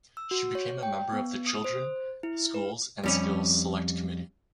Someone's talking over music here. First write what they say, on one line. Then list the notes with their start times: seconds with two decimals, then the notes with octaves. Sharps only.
She became a member of the Children, Schools and Skills Select Committee.
0.17 E6
0.31 F#4
0.55 C#5
0.83 G5
1.13 B3
1.47 D#6
1.64 C5
2.23 E4
2.54 B4
3.03 F2 G3 C#4